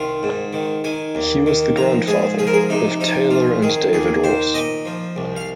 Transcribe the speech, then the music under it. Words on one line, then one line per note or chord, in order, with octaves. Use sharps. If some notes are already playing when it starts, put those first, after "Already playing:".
He was the grandfather of Taylor and David Ross.
Already playing: C2 D#3 F4
G#2
D#3
D#3 G#5
D#2
D#3
F3 A#5
G#2 G#4
F3 G#4
A#4
G#4
C3 D#4
F3 D#4
C2 F4
D#3 G#4
D#2 G#4
D#3 C5
A#2 D#5
F3
C2
F5